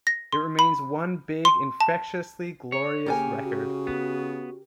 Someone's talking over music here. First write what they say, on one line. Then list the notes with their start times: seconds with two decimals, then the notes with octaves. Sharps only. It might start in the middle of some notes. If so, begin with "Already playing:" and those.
It remains one big, infectiously glorious record.
0.07 A#6
0.32 C6
0.59 B5
1.45 C6
1.81 A5
2.72 C#5
3.06 C#3 A#3 G4 A#4 G#5
3.43 F#4
3.87 B3